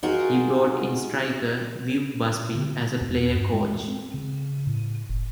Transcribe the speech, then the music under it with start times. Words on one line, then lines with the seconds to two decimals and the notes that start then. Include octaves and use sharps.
He brought in striker Viv Busby as a player-coach.
0.03 D#4 F4 F#4 G#4 A#4
2.55 D3
3.01 E2
3.33 G2
3.54 G#3
3.88 C4
4.14 C#3
4.67 A2
5.09 F1